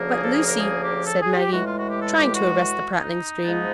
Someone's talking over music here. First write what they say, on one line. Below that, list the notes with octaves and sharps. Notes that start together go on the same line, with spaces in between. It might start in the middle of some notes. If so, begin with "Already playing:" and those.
"But, Lucy----" said Maggie, trying to arrest the prattling stream.
Already playing: D2 C#3 F3 A#3
G#4
A4
G#4
A#4
G#4
G4
A4
G#4
G4
A2 E3 G#3 F#4
F4
F#4
G4
A4
G4
F#4
D#4
G#2 F3 G#3 B3